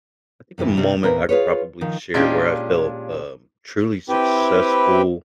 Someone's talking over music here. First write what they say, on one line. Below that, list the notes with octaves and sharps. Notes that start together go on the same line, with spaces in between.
I think a moment I could probably share where I felt, um, truly successful
F#2 C3 D#3 E3
C3 G3
E2 A#2 C4 A#4 B4
F4 G#4 B4 C#5
D#3 F3
A#2 G#3 C#4 D4 F4 G4
C4 E4 G4 B4 G5